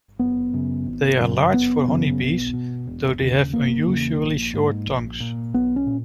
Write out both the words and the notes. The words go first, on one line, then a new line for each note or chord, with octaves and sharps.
They are large for honey bees though they have unusually short tongues.
F#1 B3
F#2 C#3
G#1
F#2 C#3
F#1 B3
F#2 C#3
B1
B2
E1
D#2 C#3
F#1 A#3
E2 C#3
A#1
G#2
A#1
A#2
B1 B3
C#4
A#2